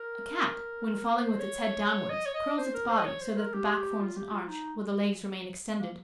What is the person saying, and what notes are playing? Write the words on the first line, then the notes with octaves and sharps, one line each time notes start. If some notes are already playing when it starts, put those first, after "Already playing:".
A Cat, when falling with its head downwards, curls its body, so that the back forms an arch, while the legs remain extended.
Already playing: A#4
C5
C#5
D#5
C#5
D#5
C5
A#4
C5
D#5
C#5
C5
A#4
G4
F4
G4
G4
F4
D#4
G#3
A#3